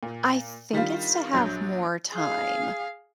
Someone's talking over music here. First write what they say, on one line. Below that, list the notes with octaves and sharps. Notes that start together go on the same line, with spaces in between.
I think it's to have more time.
A#2
D#3 G3 D4 F4
A#1 F#3 D4 G6
G#4 F5